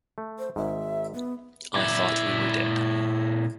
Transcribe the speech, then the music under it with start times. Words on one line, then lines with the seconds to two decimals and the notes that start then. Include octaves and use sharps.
I thought we were dead.
0.18 A3
0.39 C5
0.56 G#1 G#2 E5
1.14 B3
1.74 A#2 E4